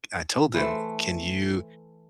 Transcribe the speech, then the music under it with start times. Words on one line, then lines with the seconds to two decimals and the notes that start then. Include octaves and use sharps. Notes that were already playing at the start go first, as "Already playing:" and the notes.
I told them, "Can you"
0.54 E3 A3 C5